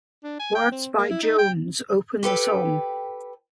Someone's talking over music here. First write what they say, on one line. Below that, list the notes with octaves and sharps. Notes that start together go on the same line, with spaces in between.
Words by Jones open the song.
D4
G#5
G5
C4
A#3
E4
D#4
G5
G4 A4 B4 G5